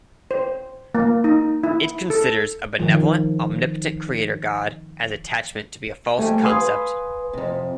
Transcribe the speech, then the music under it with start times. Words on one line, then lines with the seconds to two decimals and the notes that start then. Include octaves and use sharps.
It considers a benevolent, omnipotent creator god as attachment to be a false concept.
0.31 C5
0.95 A#3
1.24 D#4
1.64 E4
2.10 A4
2.79 D#3 F3
6.19 F2 G3 A3 G4 G#5
6.43 B4 F5 G#5 C6 D#6
7.33 F2 C3